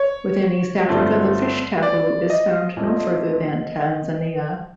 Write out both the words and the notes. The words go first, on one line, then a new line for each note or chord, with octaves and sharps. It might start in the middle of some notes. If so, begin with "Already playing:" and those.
Within East Africa, the fish taboo is found no further than Tanzania.
Already playing: C#5
G2 D3 F3 A3 C4
D5
D#5
A#2 F3 A3 C4